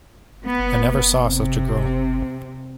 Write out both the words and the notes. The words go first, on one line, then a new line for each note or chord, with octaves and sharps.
I never saw such a girl!
B3
C3